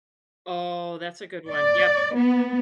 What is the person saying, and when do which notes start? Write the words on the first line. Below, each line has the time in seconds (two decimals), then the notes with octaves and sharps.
Oh, that's a good one. Yep.
1.51 D5
2.16 B3